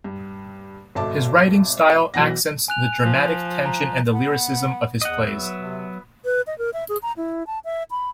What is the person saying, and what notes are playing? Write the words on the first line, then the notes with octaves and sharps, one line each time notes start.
His writing style accents the dramatic tension and the lyricism of his plays.
G2
G#1 B2 A4 E5 A5 D6
B1 B2 E3 F#5 A#6
G#5 F#6 F7
F3
A#5
B3
E2 D#5 F#5
F#3 B3 E5
C3
B4
D#5
A#4
E5
G#4
A#5
E4
A5
E5
B5